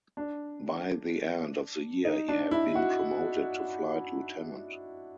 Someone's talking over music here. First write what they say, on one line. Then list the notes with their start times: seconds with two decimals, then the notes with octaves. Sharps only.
By the end of the year he had been promoted to flight lieutenant.
0.17 D4
2.05 D#4
2.29 D4
2.51 E4
2.75 F#4